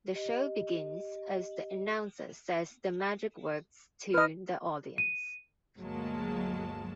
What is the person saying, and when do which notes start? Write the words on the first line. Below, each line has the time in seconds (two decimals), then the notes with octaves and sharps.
The show begins as the announcer says the magic words to the audience.
0.11 G4 D#5
4.14 B4 D#5 F6
4.98 D#7
5.78 G1 D2 F#3 G#3 A#3 A5